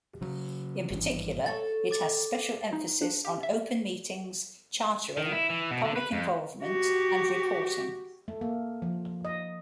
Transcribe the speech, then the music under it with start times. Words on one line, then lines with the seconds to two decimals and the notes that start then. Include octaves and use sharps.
In particular, it has special emphasis on open meetings, chartering, public involvement, and reporting.
0.21 C#3 F#3
0.90 G#1 G2 E3
1.46 A4 C#5 A6
1.91 D6 A6
2.73 D#4
3.02 D4
3.25 G4
3.43 E5
5.17 D#3
5.32 E4
5.50 E3
5.71 B2
5.84 D3
5.96 B4
6.12 F2
6.64 F#4 G4
8.28 A3
8.41 A#3
8.82 F3
9.25 D#5